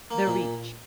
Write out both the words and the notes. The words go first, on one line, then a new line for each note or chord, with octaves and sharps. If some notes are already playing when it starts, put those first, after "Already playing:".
The Reach!
A#3
A#2